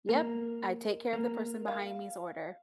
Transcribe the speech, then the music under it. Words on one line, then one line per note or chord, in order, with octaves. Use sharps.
Yep. I take care of the person behind me's order.
A#3
A#3
F5